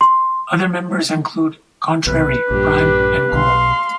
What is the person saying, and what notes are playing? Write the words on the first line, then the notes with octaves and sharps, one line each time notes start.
Other members include Contrary, Prime and Ghoul.
C6
B1 C3 B4
A#1 G2 D4 G4
B1 B2 F5 C6